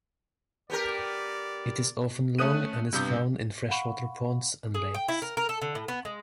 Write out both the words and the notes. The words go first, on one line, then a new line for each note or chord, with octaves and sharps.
It is often long and is found in freshwater ponds and lakes.
B3 G4 A#4 D5
A3 C#4 D#6 F#6 D#7
G2 C3 B3 G6
F5 F#5 B5 C#6
G#4
G5
E4
A#4
A#4
A4
D3
A2
B3
G#3